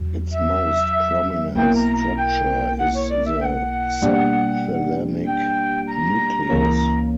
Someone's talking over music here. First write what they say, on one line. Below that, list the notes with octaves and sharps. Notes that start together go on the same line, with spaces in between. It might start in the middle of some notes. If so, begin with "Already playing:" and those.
Its most prominent structure is the subthalamic nucleus.
Already playing: E2 C#3 F#3
E5
B1 B2 A#3 E4 A#4 G5
A#5
A#5
G5
F#5
C#5
D5
E5
G5
F#5
B2 G3 A#3 D4 G4
G5
A#5
C#2 C#3 E3 A#3 C#4